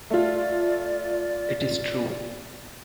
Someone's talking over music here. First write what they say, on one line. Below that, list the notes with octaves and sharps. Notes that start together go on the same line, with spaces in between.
It is true.
A3 F4 D5